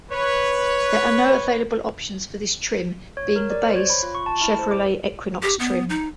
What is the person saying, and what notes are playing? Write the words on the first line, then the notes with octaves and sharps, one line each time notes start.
There are no available options for this trim, being the "base" Chevrolet Equinox trim.
B4 C#5
C#5
A#4
D5
C5
C#5
B5
F4
C#6
A5
E4
C5
D6
G4
B3
D#4